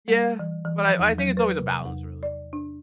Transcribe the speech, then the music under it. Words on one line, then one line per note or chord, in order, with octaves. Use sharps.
Yeah. But I I think it's always a balance, really.
G3
E3
E3
F3
E2
F#3
B4
C3
E2
D5
D4